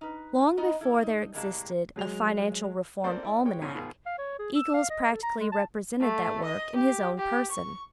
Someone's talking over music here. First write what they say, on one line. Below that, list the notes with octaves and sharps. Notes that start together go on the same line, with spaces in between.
Long before there existed a 'Financial Reform Almanack,' Eagles practically represented that work in his own person.
D#4 B4
B3 D#4 D#5 F#5
E4 A4 D5
D#4
A2 C3 G3 G#3 A#3 A5
F#3 G#3 F7
A#3 C4 D4 A4 C5 D5
E4 D5
G#3 C#5 G5
C2 G2 B2 C#4 D#4 C#5
G#2 B2 D#3 F4 G#4
F5
C#5
G#4
E6
F5
D#5
A4
A#5
G#3
A5
A3
D#5
G4
G4
C#6